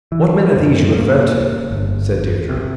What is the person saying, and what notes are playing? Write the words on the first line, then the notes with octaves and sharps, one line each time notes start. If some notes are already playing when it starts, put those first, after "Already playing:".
"What men are these you refer to?" said Deirdre.
E3
F#2
A#3
G1
C3